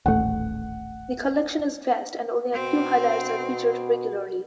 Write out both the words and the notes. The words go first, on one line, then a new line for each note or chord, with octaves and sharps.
The collection is vast and only a few highlights are featured regularly.
D#1 A1 A3 F#5
B2 C4